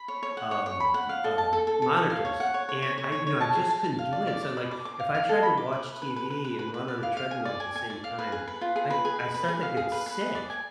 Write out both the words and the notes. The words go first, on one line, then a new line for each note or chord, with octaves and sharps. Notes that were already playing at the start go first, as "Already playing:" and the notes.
um, m uh, monitors, and I you know, I just couldn't do it, so, like, if I tried to watch TV and run on a treadmill at the same time, I I start to get sick.
Already playing: B5
C#5
C#5
F#5
C#5
C#5
B5
F#5
F5
A4
A5
A4
A4
A4
A4
F5
C#5
F#5
C#5
C#5
C#5
C#5
C#5
C#5
A5
G#4
A5
A5
F5
D5
D5
D5
B5
D6
D6
F5
F5
A4
B5
D6
B4
B4
B4
B4
B4
B4
B4
B4
D5
F5
F5
G#5
D5
G#5
G#5
D5
F5
B4
G#4
B4
F4
G#4
B4
G#4
B4
B4
G#4
F5
G#4
B4
B4
G#4
D5
G#5